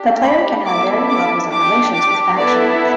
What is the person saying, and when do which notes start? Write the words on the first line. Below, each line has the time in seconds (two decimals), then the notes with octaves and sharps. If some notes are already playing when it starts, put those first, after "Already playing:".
The player can have varying levels of relations with factions.
Already playing: D4 G4
0.23 B5
0.65 B3 E4 A4 D6
1.08 D6
1.51 D4 G4 D6
1.94 D6
2.37 B3 E4 A4 D5